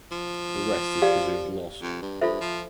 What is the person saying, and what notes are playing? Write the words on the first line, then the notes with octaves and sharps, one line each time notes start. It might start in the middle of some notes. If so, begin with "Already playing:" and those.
The rest is presumed lost.
F3
G4 D5 F5
F2
G2
G2 F4 A4 C5 E5
F3